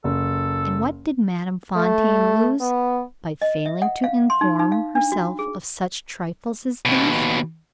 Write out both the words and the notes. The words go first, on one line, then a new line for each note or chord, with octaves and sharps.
And what did Madame Fontaine lose, by failing to inform herself of such trifles as these?
F#1 A4
A3
B3
D#5
E5
F#5
F5
C6
D#4
D#4
F5
D4
F#4
G#4
D#2 B2